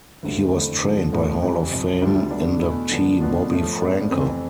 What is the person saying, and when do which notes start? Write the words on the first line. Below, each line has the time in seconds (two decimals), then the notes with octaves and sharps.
He was trained by Hall of Fame inductee Bobby Frankel.
0.23 D2 D3 G3
0.52 F2 D3 A3 E4
0.82 E2 D3 F3
1.12 A2 F3 A3 D4
1.42 F2 E3 G3
1.71 C2 C3 F3
2.01 D2 D3 G3 D4 F4
2.31 D3 G3 B3 D4
2.61 E2 B2 A3 E4
2.90 D3 F3 B3 D4
3.21 B2 B3 D4 F4
3.50 A2 F3 A3
3.80 A2 G3 B3 D4
4.10 F2 C3 E3 A3 C4